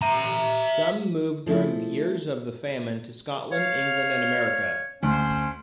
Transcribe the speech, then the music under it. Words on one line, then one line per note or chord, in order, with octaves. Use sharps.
Some moved during the years of the famine to Scotland, England and America.
E5 A#5
F3 G#3 A3 C4 E4
C#5 F5
D2 C#4 C5